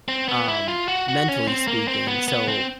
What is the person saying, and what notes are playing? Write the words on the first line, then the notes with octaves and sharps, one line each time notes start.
um, mentally speaking so
C4
B3
E4
F4
F#4
F#4
C#4
C4
A#3
C4
B3
B3
C4